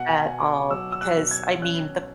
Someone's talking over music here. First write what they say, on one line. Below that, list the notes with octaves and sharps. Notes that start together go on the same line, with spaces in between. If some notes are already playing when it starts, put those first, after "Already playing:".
at all, because, I mean, the
Already playing: B2 F#5
G#5
B2
D6
F#3 E6
E6
F#6
B2
G#6
C#4 F#6